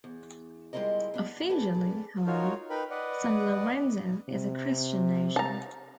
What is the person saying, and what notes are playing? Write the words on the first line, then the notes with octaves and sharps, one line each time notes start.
Officially, however, San Lorenzo is a Christian nation.
E2
G3 G#3 E4 F4 A#4 D#5
B3 D4
G#4 A4 B4 D5
D#4 F4 F#4 A#4 C#5 F5
D#4 A#4 B4 G5 B5
B4 D5 D#5 F#5
C3
A5 A#5